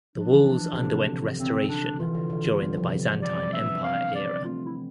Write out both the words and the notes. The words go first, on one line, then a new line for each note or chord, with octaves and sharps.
The walls underwent restoration during the Byzantine Empire era.
F3 D4
E3
F3
C3
D3
D3 C4
D4
E3 F4
D3
D3
D3
G3 B3
F3
C3
D3
D3
D3 D5
G3 B3
B3 D4 E5
D4
C4 F5
B3 D4
D5
A3 C4 F4
E4